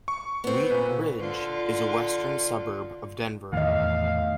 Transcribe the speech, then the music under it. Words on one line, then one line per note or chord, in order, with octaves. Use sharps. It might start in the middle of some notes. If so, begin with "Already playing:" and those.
Wheat Ridge is a western suburb of Denver.
C#6
B3 C4
A#2 B4
D3 F4
E2 A2 D#3 D#5 F5